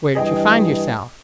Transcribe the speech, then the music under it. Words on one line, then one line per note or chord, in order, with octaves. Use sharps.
"Where did you find yourself?"
G2 E3 G#4 B4 D#5 G5